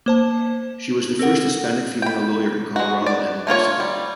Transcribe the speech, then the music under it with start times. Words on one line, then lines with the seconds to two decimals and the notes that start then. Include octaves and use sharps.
She was the first Hispanic female lawyer in Colorado and New Mexico.
0.06 A#3 C5 A5
1.19 C4 A4 A#4 F#5
2.02 G5 B5
2.76 G#3 F#4
3.06 D5
3.47 A3 A#3 F4 C#5
3.80 G3